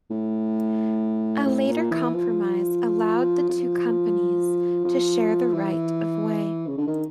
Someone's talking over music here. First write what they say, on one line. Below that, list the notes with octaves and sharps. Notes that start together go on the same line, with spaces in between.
A later compromise allowed the two companies to share the right of way.
A2
A2
A#2
E3
F3
F3
F3
E3
C#3
D3
D#3